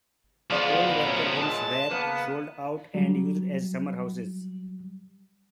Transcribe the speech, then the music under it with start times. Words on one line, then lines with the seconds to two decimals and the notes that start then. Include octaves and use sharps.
The old worker homes where sold out and used as summer houses.
0.50 F3 G#3 B3 F4 D5
1.04 F#3 A3 C#4
1.42 A#2 G#3 A5
1.90 C#3 A#3 B3
2.94 F#3 G3